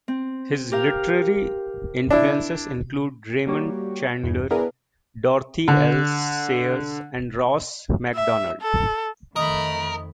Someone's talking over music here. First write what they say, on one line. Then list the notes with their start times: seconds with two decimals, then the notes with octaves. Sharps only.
His literary influences include Raymond Chandler, Dorothy L. Sayers, and Ross Macdonald.
0.08 C4
0.72 G4 A#4 F5
2.10 D4 E4
3.47 G3 A#3 F#4 G4 C#5
4.23 E2 G2
4.51 B3 D4 E4 G#4 A#4 B4
5.68 D3
8.15 E5
8.62 A4
9.36 F2 D#3 A3 A#4 D#5 B5